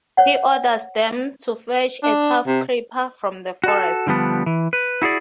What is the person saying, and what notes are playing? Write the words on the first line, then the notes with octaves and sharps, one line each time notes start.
He orders them to fetch a tough creeper from the forest.
C5 C#5 F#5
D4
C3
F#4 A4
D3 F3 G3 B3 D4
E3
B4
E4 F#4 G#4 D5